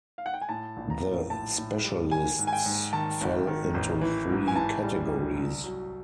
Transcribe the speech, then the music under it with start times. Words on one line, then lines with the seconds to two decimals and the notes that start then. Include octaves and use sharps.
The specialists fell into three categories.
0.18 F5
0.26 F#5
0.34 G5
0.42 G#5
0.49 A2 A5
0.77 A#1
0.90 A#5
1.03 A#1
1.30 A2 A5
1.58 A2
1.84 G3
2.11 D#3 G#5
2.39 G#2
2.47 G#5
2.53 G5
2.66 G#2
2.93 D#3 A5
3.21 G#1
3.47 D#3
3.74 A1
4.01 E3
4.29 G#2
4.48 G#5
4.55 E3 A5
4.83 G3
5.09 G3
5.36 C2
5.64 F#3